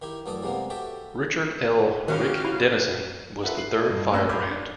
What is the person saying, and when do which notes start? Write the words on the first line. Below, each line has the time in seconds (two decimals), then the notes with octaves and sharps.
Richard L. "Rick" Dennison was the third Firebrand.
0.02 D#3 E4 G4
0.26 F#2 E3 A3 A4 D5 D#6
0.43 C3 G3 G#3 A#3 B3
0.70 F#4 G4 A4 E5 G5
2.08 D#3 C#4 D#4 F#4 G4 F5
2.45 E4
3.44 F4 A4 B4 E5 F#5
3.57 C7 F#7
3.86 G2 D#5
4.12 A#1 A3 C#4 E6 A#6
4.29 B5 C6 D6 F6 G6 G#6
4.51 D4